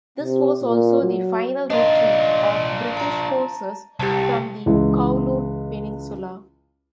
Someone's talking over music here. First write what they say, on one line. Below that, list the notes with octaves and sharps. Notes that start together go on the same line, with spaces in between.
This was also the final retreat of British forces from the Kowloon Peninsula.
C3
A#2
F#3
D4 F4 D#5
A5 A#5
C2 G4 A5
C#2 E3 G#3